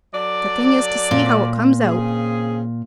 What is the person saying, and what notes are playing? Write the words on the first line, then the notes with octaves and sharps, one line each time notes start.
The thing is to see how it comes out.
F#3 A4 D5
A#2
C#3 C4 G#4